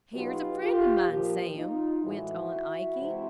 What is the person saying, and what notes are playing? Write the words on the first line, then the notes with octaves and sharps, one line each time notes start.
"Here's a friend of mine, Sam," went on Ikey.
B2 F#3 B3 D#4 F4 G4
F4 G4
A#2 F3 A#3
D#4 F4
A2 E3 G#3 E4 F#4
C3 E3 G#3 C4